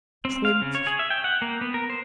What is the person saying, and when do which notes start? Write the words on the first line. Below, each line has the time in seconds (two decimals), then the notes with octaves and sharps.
At twenty!
0.25 C4
0.45 F5
0.62 C#3
0.75 C#5
0.87 G#4
0.99 E5
1.10 G5
1.24 F#5
1.42 A#3
1.61 B3
1.74 A#4
1.90 C5